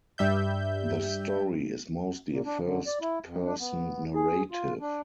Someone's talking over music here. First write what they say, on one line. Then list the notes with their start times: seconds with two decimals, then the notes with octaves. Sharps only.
The story is mostly a first-person narrative.
0.18 G2 G3 E5 G6
2.31 A#2
2.46 D4
2.64 D3
2.86 D5
3.01 E4
3.25 F2
3.45 D4
3.59 B3
4.15 G#4
4.51 F4
4.81 D4